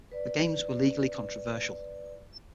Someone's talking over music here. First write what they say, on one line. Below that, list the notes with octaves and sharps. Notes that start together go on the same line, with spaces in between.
The games were legally controversial.
B4 D5